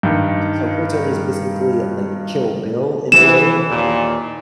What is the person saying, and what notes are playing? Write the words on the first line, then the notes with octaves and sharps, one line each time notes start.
so Kill Tony is basically like Kill Bill in a way,
G2 D#3
B2 E3 E7
D#2 A#2